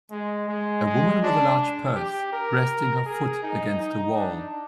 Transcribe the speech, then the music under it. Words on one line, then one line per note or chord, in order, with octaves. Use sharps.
A woman with a large purse resting her foot against a wall.
G#3
G#3
G#3
D4
G4
A#4
G#4
D#4
D#4
D4